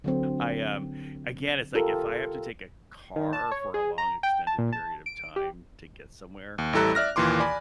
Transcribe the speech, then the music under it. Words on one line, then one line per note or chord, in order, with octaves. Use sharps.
I, um Again, it's like if I have to take a car for a long, extended period of time to get somewhere,
D3 F#3 C4
F4 G4 A4 A#4
D#3
A5
C#5
G#4
A#5
G5
A5
A#2
A5
D7
G4
D#2
A1 G3 E4 A4 A#5 F#6
D5 E5 F6 A#6
D#2 A#2 E3 C6 D6
D5 G#5 B5